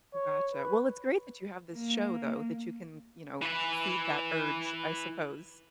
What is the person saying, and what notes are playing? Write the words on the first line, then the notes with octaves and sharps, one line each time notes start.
Gotcha. Well, it's great that you have this show, though, that you can, you know, feed that urge, I suppose,
C#5
B4
A#3
E3 B4